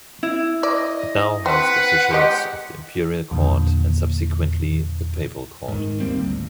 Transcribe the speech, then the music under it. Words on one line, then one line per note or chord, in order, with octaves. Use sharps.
It now housed officials of the imperial court, and subsequently the papal court.
E4
D5 D#5
C4 B4 F#5
G#3 G4 D#5
E2 A#2 D3
G#2 D#3
D#1 G3 A#3 C4
G#1 D2